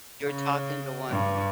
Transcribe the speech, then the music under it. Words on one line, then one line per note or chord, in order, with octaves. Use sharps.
You're talking to one.
C#3
G2